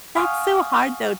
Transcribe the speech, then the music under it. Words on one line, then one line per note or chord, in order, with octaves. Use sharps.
that's so hard, though,
F5 F#5 G#5 C#6 D#6 F6